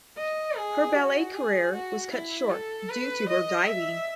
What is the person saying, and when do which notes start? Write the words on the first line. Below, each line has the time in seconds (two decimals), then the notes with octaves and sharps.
Her ballet career was cut short due to her diving.
0.17 D#5
0.57 G#4
0.95 F#4
1.34 G#4
1.72 F#4
2.12 E4
2.50 A4
2.89 B4
3.29 D#5
3.67 E5